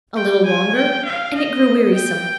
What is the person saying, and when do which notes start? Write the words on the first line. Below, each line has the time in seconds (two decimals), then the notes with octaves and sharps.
A little longer, and it grew wearisome.
0.16 G5
0.46 G#5
0.76 G5
1.05 F5
1.35 D#5
1.94 G5